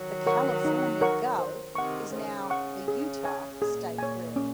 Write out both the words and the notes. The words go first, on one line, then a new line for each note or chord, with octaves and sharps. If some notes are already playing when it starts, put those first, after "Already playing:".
The California gull is now the Utah State bird.
Already playing: D#3 F#3
A#4 C#5 F#5 C#6
D#4
A#4 C#5 F#5 C#6
C5
C3 D#3 F#5 C#6
C#3 C5
F#5 C#6
G#4
C#5 G#5
A#2 G#4
C#5 G#5
C#4